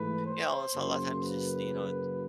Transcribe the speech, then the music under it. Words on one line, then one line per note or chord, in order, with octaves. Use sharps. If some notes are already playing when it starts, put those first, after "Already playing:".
Yeah, so a lotta times just, you know,
Already playing: G#2 E3 A3 B4
C5
F#2 C#3 F#3 A#3
B4